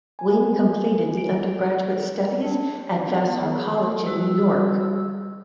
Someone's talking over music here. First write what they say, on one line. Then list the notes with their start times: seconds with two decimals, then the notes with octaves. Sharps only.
Wing completed his undergraduate studies at Vassar College in New York.
0.19 G#5
1.17 D7
2.42 D4
3.08 B3
3.43 G#4
4.06 G3 F#4 E6